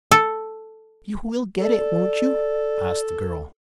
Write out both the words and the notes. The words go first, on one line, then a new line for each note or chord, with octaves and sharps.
"You will get it, won't you?" asked the girl.
A4
A4 D5